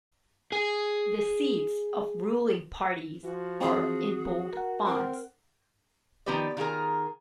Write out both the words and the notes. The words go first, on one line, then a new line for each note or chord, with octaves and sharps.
The seats of ruling parties are in bold fonts.
G#4 G#5
F3 F#4
E3 C4 G#4
A#4 F#5
C4 A#4 F#5
D#3 F3 B3 G4 B4 D5
D#3 F4 F#4 G#4 A#4